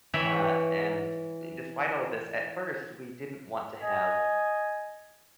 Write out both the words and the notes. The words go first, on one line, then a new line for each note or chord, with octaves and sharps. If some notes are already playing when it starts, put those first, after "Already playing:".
uh, and despite all of this, at first we didn't want to have
E3 C#5 E5 G5 B5
D#5 G#5